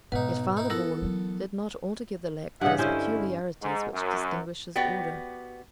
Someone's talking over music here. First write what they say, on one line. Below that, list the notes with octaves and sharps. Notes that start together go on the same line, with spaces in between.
Yet Father Vaughan did not altogether lack those peculiarities which distinguish his order.
B1 G#2 B2 D#4 B4 F#5
D#4 E4
B3 E4 A4 A#4
E3 F#3
G2 C#3 D#5 E5 F#5
D3 G3 C#4 E4 C5 D#5
G#2
F#2
B3 F#4 G4 D5 G5